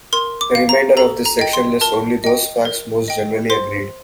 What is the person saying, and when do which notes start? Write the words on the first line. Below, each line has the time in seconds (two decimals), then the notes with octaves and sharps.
The remainder of this section lists only those facts most generally agreed.
0.13 A#4 C6
0.41 D6
0.55 F5
0.69 A#5
0.97 A4 A#5
1.26 A#5
1.39 D#5 G5
1.53 C6
1.81 A#4 A5
2.24 D#5 G5
2.65 A#4
3.08 D#5 G5
3.50 C5 C6